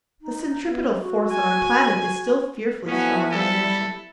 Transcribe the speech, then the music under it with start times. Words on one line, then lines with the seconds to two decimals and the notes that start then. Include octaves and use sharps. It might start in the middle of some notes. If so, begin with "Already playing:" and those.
The centripetal force on our planet is still fearfully strong, Alyosha.
0.21 D#4
0.66 B3
0.99 F#4
1.32 G#5
2.88 F3 A3 B3 C#4 E4 F#4 G#5
3.32 G3 E4 A4